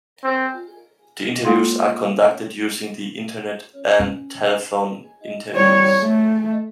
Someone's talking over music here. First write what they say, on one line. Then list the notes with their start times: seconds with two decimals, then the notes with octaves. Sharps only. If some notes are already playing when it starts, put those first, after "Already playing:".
The interviews are conducted using the internet and telephone interviews.
0.24 C4
1.45 G#3 A#3 F4 A4 F5 C6
4.00 C#4
5.54 G3 C#5
5.99 A3